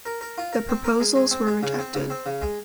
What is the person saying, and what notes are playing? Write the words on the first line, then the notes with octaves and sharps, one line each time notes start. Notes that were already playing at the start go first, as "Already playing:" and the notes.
The proposals were rejected.
A#4
A#4
F4
A#4
C4
A#4
G#3
G#3
C4
G#3
C#3
C4
C#3
C4
C#3
G#3